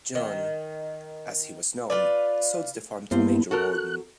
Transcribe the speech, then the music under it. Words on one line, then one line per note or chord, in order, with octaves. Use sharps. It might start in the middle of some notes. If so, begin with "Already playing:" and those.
Johann - as he was known - sold the farm to Major Warden.
D#3
F4 B4 D5
G2 A#3 B3 E4 C5
F#4 A4 A#4 F#6